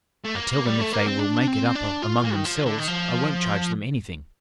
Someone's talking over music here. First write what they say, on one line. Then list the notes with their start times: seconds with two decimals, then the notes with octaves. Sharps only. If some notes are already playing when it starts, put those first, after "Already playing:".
I tell them if they will make it up among themselves I won't charge them anything.'
0.25 A3
0.35 A#3
0.66 G3
0.80 A3
0.92 A#3
1.06 C4
1.19 D4
1.48 C4
1.75 D4
2.03 F4
2.24 A#3
2.35 D#3
2.45 F3
2.66 D3
2.78 D#3
2.88 F3